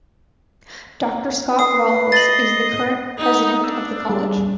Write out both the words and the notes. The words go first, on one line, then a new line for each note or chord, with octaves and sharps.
Doctor Scott Ralls is the current president of the College.
B4 D#6 C7
D#5 A6 F#7
B3 D#4
D4 E6
G3 G#4